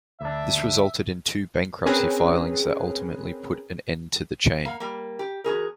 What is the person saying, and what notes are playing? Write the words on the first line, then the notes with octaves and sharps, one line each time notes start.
This resulted in two bankruptcy filings that ultimately put an end to the chain.
D2 D4 E5
C4 C#4 G#4 A#4 B4
A#3 F5 F#5
G3 A#3
G4
E2 F#4 G#4 A#4